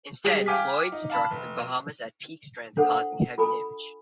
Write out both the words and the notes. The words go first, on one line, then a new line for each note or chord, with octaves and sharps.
Instead, Floyd struck The Bahamas at peak strength, causing heavy damage.
G3 G#3 G4 G#4
F5 G5 G#5 D6 F6 B6
D#4
F5 A5 B5
F1
D4 A4 C5 F#5
F4 A4 G#5 B5